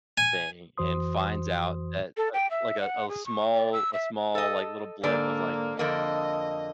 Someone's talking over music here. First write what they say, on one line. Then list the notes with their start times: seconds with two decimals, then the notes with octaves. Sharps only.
thing and finds out that, uh, like, a a small a small, like, little blip of like,
0.18 G#5
0.78 F2 E3 F#4 C5 C6 D#6
2.17 A4
2.34 G5
2.51 E5
2.81 F#5
3.09 G#4
3.26 C#6
3.54 D5
3.73 E6
3.93 E5
4.35 A4 D#5
5.03 G#2 D3 A#3 D5
5.79 F2 D3 A#3 D#5